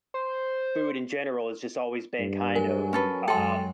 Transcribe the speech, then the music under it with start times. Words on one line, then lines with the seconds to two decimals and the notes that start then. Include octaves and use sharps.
food in general has just always been kind of, um,
0.14 C5
2.19 G2
2.55 F#3 A#4 G#5
2.93 C#4 A4 B4
3.28 F#2 F#3 G#3 A4 G5 G#5 C6